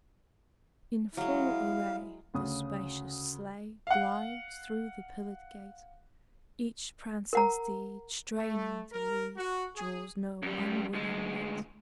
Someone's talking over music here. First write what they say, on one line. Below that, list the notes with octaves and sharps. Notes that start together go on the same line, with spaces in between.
In full array, the spacious sleigh Glides through the pillared gate: Each prancing steed, straining to lead, Draws no unwilling mate.
F#3 G#3 E4 F5
D2 C#3 D#6
F5 F#5
A#4 F#5 A#5
A3
A#4
F#4
G#4
F#2 G3
D2 G#3